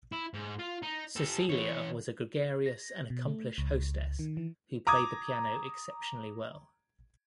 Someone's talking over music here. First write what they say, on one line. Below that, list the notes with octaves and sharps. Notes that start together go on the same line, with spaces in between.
Cecilia was a gregarious and accomplished hostess who played the piano exceptionally well.
E4
G#2
F4
D#4
G4 A4
E3 C#5
A#6
B2
A3
C#2
D#3
E3
A#5 D6 D#6 G#6